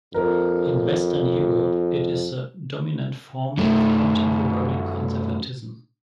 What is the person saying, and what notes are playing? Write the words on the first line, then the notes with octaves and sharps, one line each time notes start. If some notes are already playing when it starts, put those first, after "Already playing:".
In Western Europe it is the dominant form of contemporary conservatism.
F2 A#4
F#2 A3